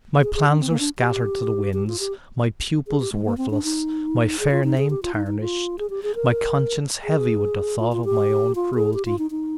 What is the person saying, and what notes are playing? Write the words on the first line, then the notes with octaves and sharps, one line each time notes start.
My plans are scattered to the winds, my pupils worthless, my fair name tarnished, my conscience heavy with the thought of my own cruelty....
G#4
G#4
D4
C4
A#3
D4
G4
G4
F4
G4
G#4
G4
G#3
A#3
C4
D4
D#4
G#4
F4
D#4
G#4
G4
F4
D#4
D#4
F4
G#4
G4
G#4
A#4
G#4
F4
F4
G4
F4
G#4
G4
F4
D#4
D#4